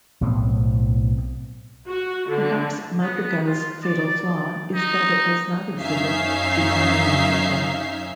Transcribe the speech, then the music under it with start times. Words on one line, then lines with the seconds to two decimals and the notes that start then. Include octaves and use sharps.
Perhaps Madryga's fatal flaw is that it does not exhibit the avalanche effect.
0.21 B1 A2 B3 C4
1.87 F#4
2.28 D3
3.02 B3
3.47 F4
3.83 D5
4.75 D#4
5.78 F#2 C#4 D#4 E5 F5 C7